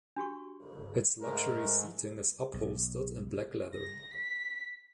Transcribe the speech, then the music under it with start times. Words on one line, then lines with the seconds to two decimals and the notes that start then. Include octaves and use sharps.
Its luxury seating is upholstered in black leather.
0.16 D4 F#4 G4 C#6
1.21 G#2 G#3 A3 A#4
2.54 B1
3.74 A#6
4.14 B6